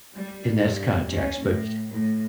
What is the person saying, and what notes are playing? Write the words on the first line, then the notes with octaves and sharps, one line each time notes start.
in this context, but
G3
G2
C#4
A2
A2